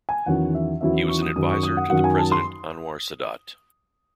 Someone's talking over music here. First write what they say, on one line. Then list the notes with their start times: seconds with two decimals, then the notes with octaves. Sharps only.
He was an adviser to the President Anwar Sadat.
0.09 G#5
0.26 E2 D#3 F#3 C#4 E4 F#5
0.55 E5
0.81 E2 D#3 F#3 C#4 E4 E5
1.09 C#6
1.22 D#6
1.36 F#2 D#3 F#3 D#6
1.50 C#6
1.63 D#6
1.77 F#5
1.90 F#2 D#3 F#3 F#5
2.04 G#5
2.18 A5
2.32 C6